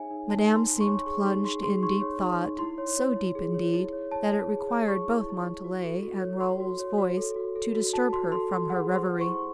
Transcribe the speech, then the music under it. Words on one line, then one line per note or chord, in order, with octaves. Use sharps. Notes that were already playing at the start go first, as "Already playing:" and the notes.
Madame seemed plunged in deep thought, so deep, indeed, that it required both Montalais and Raoul's voice to disturb her from her reverie.
Already playing: D#4 G#4 C#5 E5 G#5
D#4
D#4 A5
D#4
C6
D#4
C#6
C#5
G#4 C#6
D#4 C6
G#4 C6
G#4 C6
D#4 C#6
C#5
D#4
D#4
E4 C6
C#5
C#5
E4
G#4
C#5
E4
C#5
C#5 A5
C#5
G#4
C#5
G#4 C#6
E4
E4
E4
F#4
A4
F#4
C#5
F#4 C6
F#4
C#5
F#4
A4
F#4
A4
F#4
F#4 A5
F#4 C6
A4 C6
A4
G#4 F#5
C5
C6
C5
C#6
E4